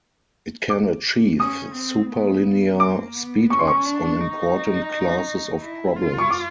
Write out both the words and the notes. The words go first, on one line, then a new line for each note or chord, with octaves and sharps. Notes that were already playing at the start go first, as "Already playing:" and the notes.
It can achieve super linear speed-ups on important classes of problems.
D6
C#4 D#6
C4
B3
A#3 D6
B3
C#4 C#6
C6
C#6
D4
D#4
E4
F4
C#6
D6